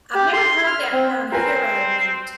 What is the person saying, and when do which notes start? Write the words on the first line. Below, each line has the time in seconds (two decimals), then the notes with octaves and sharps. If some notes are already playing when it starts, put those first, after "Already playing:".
I've never heard that term "hero meat."
0.14 G4
0.33 C6
0.67 F6
0.93 C4
1.32 C4 A#4 B4 G#5